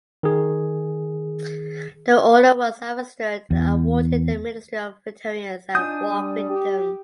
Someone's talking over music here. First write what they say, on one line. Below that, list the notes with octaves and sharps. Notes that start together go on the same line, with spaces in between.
The order was administered and awarded the Ministry of Veterans and War Victims.
D#3 G#4
E2
D4 D#4 F4 G#5 D#6 G6
G3
G4